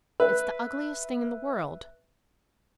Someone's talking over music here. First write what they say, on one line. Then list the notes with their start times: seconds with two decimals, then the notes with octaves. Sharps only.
It's the ugliest thing in the world.
0.20 B4 E5